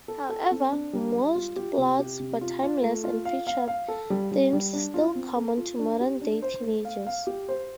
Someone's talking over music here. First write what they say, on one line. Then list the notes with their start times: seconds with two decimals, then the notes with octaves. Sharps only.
However, most plots were timeless and featured themes still common to modern-day teenagers.
0.08 A4
0.29 A4
0.51 C4
0.73 D4
0.93 G3
1.14 G3
1.35 F4
1.56 G4
1.78 C3
1.99 G4
2.20 C3
2.41 F4
2.62 F4
2.83 A3
3.04 F4
3.25 F5
3.47 F5
3.68 F5
3.88 A4
4.10 G3
4.32 G3
4.53 G3
4.73 D4
4.94 F4
5.15 C4
5.36 A4
5.58 F4
5.79 D4
6.01 G4
6.21 D4
6.42 C5
6.63 A3
6.85 F5
7.07 F5
7.27 G4
7.48 C5